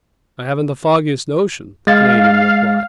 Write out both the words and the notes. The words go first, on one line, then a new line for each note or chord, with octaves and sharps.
"I haven't the foggiest notion," the Canadian replied.
G#3 F5 A6